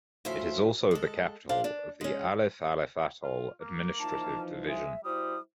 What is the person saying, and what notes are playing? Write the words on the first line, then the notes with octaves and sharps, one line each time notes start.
It is also the capital of the Alif Alif Atoll administrative division.
D2 F3 C#4 E4 C5 E5
G#3 A4
D4 C5 D5 F5
D4
G#3 C#4
F4
A#3
E3 F3 D#4 A5
G#3 E5
G3 E4 F#4 C5 D#6